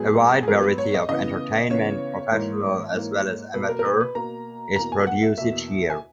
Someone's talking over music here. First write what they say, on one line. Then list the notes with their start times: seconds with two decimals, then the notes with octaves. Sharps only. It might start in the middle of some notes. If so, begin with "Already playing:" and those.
A wide variety of entertainment, professional as well as amateur, is produced each year.
Already playing: G#2 F#3 B3 G#4
0.43 G#4
0.48 G#2 F#3 B3 A#4
0.63 B4
0.78 C#5
0.94 D#5
1.09 C#3 E3 B3 D#5
1.70 C#3 E3 B3 C#5
2.32 G#2 E3 A#3
2.92 G#2 E3 A#3
3.54 B2 A#3 B4
3.69 A#4
3.79 A#4
3.85 B4
4.00 B4
4.14 B2 A#3 A#5
4.76 E2 B2 A#3 A#5
4.92 G#5
5.07 F#5
5.22 E5
5.37 E2 B2 A#3 E5
5.90 G#5